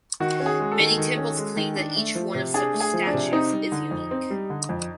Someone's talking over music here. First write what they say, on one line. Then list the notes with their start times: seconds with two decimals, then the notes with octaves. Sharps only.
Many temples claim that each one of such statues is unique.
0.20 D#3 F#4
0.40 C#4
0.46 G#4
0.59 G#3
0.72 A4
0.79 D#3
0.98 D#3
1.17 C#4
1.37 G#3
1.57 D#3
1.76 D4
1.96 A3
2.15 F3
2.35 C3
2.54 D4 G#4
2.74 A3
2.80 G#4
2.94 F3
3.07 D4
3.14 C3
3.32 C4 D#4
3.52 G3
3.72 D3
3.91 F2
4.11 C4
4.30 G3
4.50 D3
4.69 F2